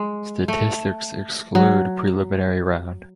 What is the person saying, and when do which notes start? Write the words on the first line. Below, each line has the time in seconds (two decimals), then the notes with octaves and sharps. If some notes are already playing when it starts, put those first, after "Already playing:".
Statistics exclude preliminary round.
Already playing: G#3
0.48 A3
1.55 F#3